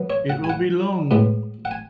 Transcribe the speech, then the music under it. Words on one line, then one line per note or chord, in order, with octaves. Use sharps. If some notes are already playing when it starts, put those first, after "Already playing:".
It will be long.
Already playing: F#3 B3
C#5
F#5
G#5
F#5
A2 G#3 B3
F#5
G#5